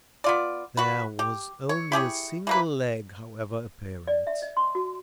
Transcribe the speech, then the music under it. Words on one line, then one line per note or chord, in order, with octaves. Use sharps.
There was only a single leg, however, apparent.
B3 F4 D5
F#4 B4
G4
C#5
E4 G4 G#4 C#5
E3 A#3 B4
D5
E5
D#5
C6
F#4